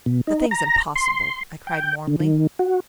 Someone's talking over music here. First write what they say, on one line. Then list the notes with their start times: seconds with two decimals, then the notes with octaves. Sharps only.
"The thing's impossible!" I cried warmly.
0.06 B2
0.27 D#4
0.51 A#5
0.96 C6
1.67 G5
2.07 D3
2.20 D#3
2.59 F#4